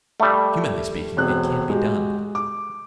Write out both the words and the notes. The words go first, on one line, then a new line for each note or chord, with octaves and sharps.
Humanly speaking, it can't be done.
G3 A3 E5
E1 C4 F#6
G#3 F#4 G4
D6